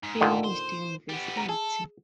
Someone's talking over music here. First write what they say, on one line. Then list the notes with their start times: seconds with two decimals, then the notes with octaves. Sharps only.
Finished university.
0.03 G#2
0.21 A#2 D3 D#3
0.44 C5
1.09 G3 B3
1.37 A#5
1.49 G#4 A4